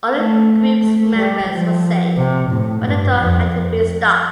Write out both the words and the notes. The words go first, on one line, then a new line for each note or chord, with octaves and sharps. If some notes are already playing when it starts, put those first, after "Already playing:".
All of the group's members were safe, but the tour had to be stopped.
A3
A3
G3
F3
C3
A2
G2
F2
F2